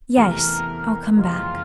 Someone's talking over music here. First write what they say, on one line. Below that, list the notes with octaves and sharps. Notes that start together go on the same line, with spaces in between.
"Yes--I'll come back."
E2 C3 E3 A3 A#4
F#1 F2 C3 E3 G#3 F4